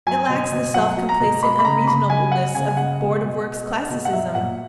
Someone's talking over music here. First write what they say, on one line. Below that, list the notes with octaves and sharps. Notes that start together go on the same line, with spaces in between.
It lacks the self-complacent unreasonableness of Board of Works classicism.
F#3 G#5
B2
B2
F#3 F#5
F#3
A#5
B2
G#3 B5
B5
C#3 A#5
C#3 B5
G#3 G#5
G#3 F#5
C#3 G#5
G#5
G#3 F#5
B2
B2
G#3
G#3
B2
F#5
F#3 E5
A#2 F#5